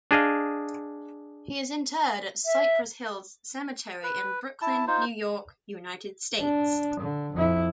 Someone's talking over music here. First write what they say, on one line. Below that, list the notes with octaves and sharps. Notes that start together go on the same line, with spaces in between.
He is interred at Cypress Hills Cemetery in Brooklyn, New York, United States.
D4 G#4 D#5 F5
E5
B4
E4 A5
D#4 F4 C5
D4
D3
F2 E4